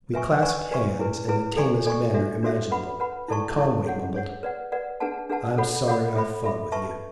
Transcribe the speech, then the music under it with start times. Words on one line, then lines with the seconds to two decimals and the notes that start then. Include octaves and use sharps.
We clasped hands in the tamest manner imaginable, and Conway mumbled, "I'm sorry I fought with you."
0.14 B4 E5 G#5 C#6
0.42 B4 D5 G#5 C#6
0.71 B4 D5 G#5 C#6
0.99 E4 G#4 B4
1.28 E4 G#4 B4
1.56 A4 D5 G#5 C#6
1.86 A4 D5 G#5 C#6
2.14 D4 F#4 A4 E5
2.43 D4 F#4 A4 E5
2.71 B4 F#5 B5
3.00 B4 F#5 B5
3.28 E4 A4 D5 A5 C#6
3.57 E4 A4 D5 A5 C#6
3.86 G#4 C#5 F#5
4.14 G#4 C#5 F#5
4.43 B4 D5 F#5
4.72 B4 D5 F#5
5.00 D4 G#4 B4 F#5 A5
5.30 D4 G#4 B4 F#5 A5
5.57 A4 C#5 F#5 B5
5.86 A4 C#5 F#5 B5
6.15 A4 E5 B5
6.44 A4 E5 B5
6.72 B4 E5 A5 C#6